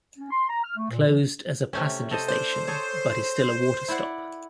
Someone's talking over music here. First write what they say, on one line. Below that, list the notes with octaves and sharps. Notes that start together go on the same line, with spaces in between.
Closed as a passenger station but is still a water stop.
C#4
C6
A#5
F6
A3
A#2
E3
C3 A3 C#4
A4 C5 D#5
D4 C5
G#4 A4 C#5
E4 D5 F#5